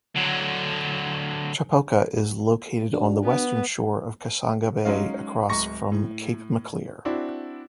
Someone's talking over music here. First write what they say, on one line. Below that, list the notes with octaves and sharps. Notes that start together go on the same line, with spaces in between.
Chipoka is located on the western shore of Kasangha Bay across from Cape Maclear.
D3 F#3
D4 F#4
B3
F#3 G#3 C#4 D#4 F5
D1 G#3 A#5 C#6 A#6
A2
C4 D4 E4 F#4